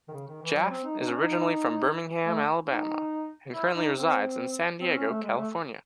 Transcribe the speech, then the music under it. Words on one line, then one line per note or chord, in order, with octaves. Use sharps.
Jaffe is originally from Birmingham, Alabama and currently resides in San Diego, California.
D#3
C#3
D#3
E3
F#3
C4
D#4
D#4
C#4
D#4
A3
D#4
E4
D#4
C4
C4
C#4
A3
G#3
A3